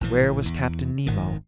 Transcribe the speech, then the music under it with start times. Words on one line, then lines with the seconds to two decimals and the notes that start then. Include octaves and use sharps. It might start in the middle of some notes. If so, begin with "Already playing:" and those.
Where was Captain Nemo?
0.01 A#1 A2 E3
0.46 E2
1.07 G#1 D#3